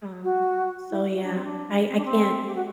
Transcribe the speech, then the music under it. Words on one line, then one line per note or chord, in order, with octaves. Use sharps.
Um, so, yeah, I I can't
F#4
E4
F#4
D4
C4
D4
C4
D4
C4
G4
F#4